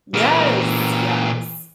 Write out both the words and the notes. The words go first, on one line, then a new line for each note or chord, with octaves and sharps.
Yes, yes,
A#2 E3